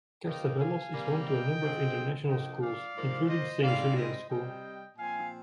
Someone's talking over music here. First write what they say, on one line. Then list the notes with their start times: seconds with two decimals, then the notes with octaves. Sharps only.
Carcavelos is home to a number of international schools including Saint Julian's School.
0.25 G2 F3 A#3 D#5 G5
0.58 F5 G#5
0.93 C3 G3 A#3
1.26 D#5 G5
1.60 D3 F3 G#3 C4
2.27 D3 F3 A#3 D#5 G5
2.61 D5 F5
2.95 G#2 F3 A#3
3.28 C5 D#5
3.62 G#2 G3 C4 D5 F5
3.97 C5 D#5
4.30 C3 G3 C4 D#5 G5
4.97 A#2 F3 C4 F5 G#5